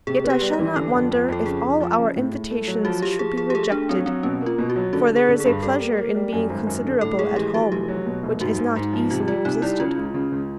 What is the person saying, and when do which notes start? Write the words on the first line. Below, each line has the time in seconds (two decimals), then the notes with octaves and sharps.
Yet I shall not wonder if all our invitations should be rejected: for there is a pleasure in being considerable at home, which is not easily resisted.
0.07 C3 G#4
0.24 B3
0.30 G4
0.41 G3
0.53 G4
0.59 E3
0.76 D3 A4
0.94 F2
1.11 F2
1.28 F2 A4
1.46 C#3 G#4
1.63 F2
1.80 F3
1.98 C#3
2.16 A2
2.32 A2
2.51 A3
2.67 F#3
2.85 F3 F#4
3.02 F3 G4
3.19 F3 G#4
3.37 F3 G#4
3.50 G4
3.54 A3 G#4
3.72 A3 D4
3.89 F#3 C4
4.06 F#3 C4
4.23 B2 C#4
4.41 A#3
4.46 F4
4.58 B2
4.70 F#4
4.76 F#3
4.93 D3 F#4
5.10 D3
5.16 G#4
5.29 D3
5.40 G#4
5.45 G2
5.63 G3 A4
5.80 A#3
5.97 A#3
6.15 G3
6.32 F#2
6.50 G#1
6.67 F#2
6.85 D3
7.01 A2 A4
7.19 G#3 G#4
7.36 E3 G4
7.54 E3 F#4
7.71 F1 G4
7.88 F#3
8.06 B2
8.23 F1
8.40 G#2 F#4
8.58 G#2
8.76 G#2
8.93 F3
9.11 C3 F4
9.28 G3 F4
9.45 C3 D#4
9.62 G3 E4
9.80 C#3 F4
9.97 C#2
10.14 C#3
10.32 C#2